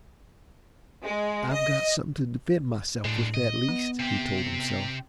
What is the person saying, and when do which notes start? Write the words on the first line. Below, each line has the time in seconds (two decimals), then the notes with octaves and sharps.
"I've got something to defend myself with, at least," he told himself.
1.04 G#3
1.53 D#5
3.05 A2 G#3 D4
3.34 D#5
3.68 B3
3.99 C3 G4